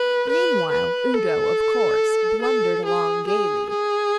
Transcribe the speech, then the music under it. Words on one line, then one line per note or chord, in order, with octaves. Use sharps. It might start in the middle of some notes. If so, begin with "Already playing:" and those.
Meanwhile Udo, of course, blundered along gaily.
Already playing: B4
B4
B4
A4
A4
G#4
G#4
G#4